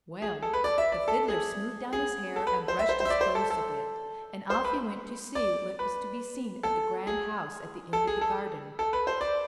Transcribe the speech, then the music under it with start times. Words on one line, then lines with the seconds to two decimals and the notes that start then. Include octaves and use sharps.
Well, the Fiddler smoothed down his hair and brushed his clothes a bit, and off he went to see what was to be seen at the grand house at the end of the garden.
0.22 G#4
0.43 A4
0.53 B4
0.64 D5
0.78 E5
0.92 D5
1.08 A4
1.28 G#4
1.93 G#4
2.36 A4
2.47 B4
2.68 C5
2.79 E5
2.89 C5
3.00 C5
3.05 E5
3.10 D5
3.21 C5
3.35 A4
3.50 A4
4.50 C5
4.64 B4
5.35 D5
5.79 B4
6.63 A4
7.07 G#4
7.93 A4
8.07 G#4
8.21 A4
8.79 A4
8.93 B4
9.07 C5
9.21 D5